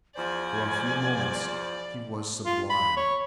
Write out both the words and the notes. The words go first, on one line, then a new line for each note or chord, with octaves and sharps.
For a few moments he was sublime.
E2 F3 C5 D5 G#5
F4
B5
C#5